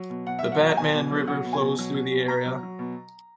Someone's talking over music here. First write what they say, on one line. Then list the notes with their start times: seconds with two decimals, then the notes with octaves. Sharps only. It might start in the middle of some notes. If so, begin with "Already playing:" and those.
The Batman River flows though the area.
Already playing: F#3
0.10 B2
0.26 B2 F#5
0.39 F#3 E5
0.52 F#5
0.61 F#3
0.69 A#5
0.77 B2 G#5
0.94 B2
1.11 F#3
1.27 F#3 F#5
1.45 B2
1.53 G#5
1.61 B2
1.79 F#3
1.95 F#3
2.12 B2
2.28 B2 A#5
2.45 F#3
2.63 F#3
2.79 B2